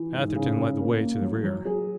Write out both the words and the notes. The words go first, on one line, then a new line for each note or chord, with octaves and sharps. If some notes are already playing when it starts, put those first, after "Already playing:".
Atherton led the way to the rear.
Already playing: E3
G#2
C#3
C#4
A#3
A#3
F#3
F#3
G#4